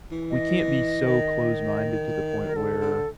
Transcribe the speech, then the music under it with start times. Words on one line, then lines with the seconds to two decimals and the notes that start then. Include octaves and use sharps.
we can't be so close-minded to the point where
0.12 E3
0.30 D#5
1.06 D#3
2.45 A#4
2.55 D3 A4
2.81 D3